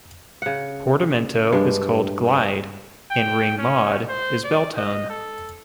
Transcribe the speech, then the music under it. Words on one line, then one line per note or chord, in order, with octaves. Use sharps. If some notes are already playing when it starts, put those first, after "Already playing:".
Portamento is called "Glide" and Ring Mod is "Bell Tone".
C#3 F#5
G2 G#3 D4
G5
C#4
C5
D5
D#5
A4